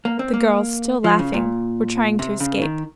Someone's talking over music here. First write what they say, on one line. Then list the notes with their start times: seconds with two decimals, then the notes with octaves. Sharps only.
The girls, still laughing, were trying to escape.
0.05 A#3
0.19 C4
0.34 A#3
1.04 F3
1.19 C#3
1.34 A#2
2.19 C3
2.40 C#3
2.62 D#3